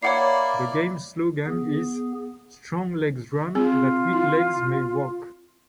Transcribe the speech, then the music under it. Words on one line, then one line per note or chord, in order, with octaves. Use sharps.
The game's slogan is "Strong Legs Run That Weak Legs May Walk".
A#3 E4 C#5 D5 F#5 C7
B3 G#4
C4 F4 G#4
E4